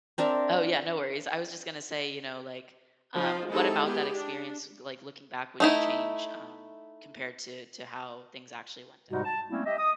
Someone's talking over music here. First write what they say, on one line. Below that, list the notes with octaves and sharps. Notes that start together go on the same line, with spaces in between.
Oh, yeah, no worries. I was just gonna say, you know, like, um, what about that experience, s like, looking back, would you change, um, compared to to how things actually went down?
C4 D4 A#4 E5
F3 D#4 F4 C5
G#3 C4 D#4 E4 G4 A4
B3 G4 G#4
D4
A3 D#4 E4
G#2 C3 G3 G#3 D#4 F#4
A5
G3 A3 A#3 C4 C#4 E4
G4 D#5 E5
D#5 D#6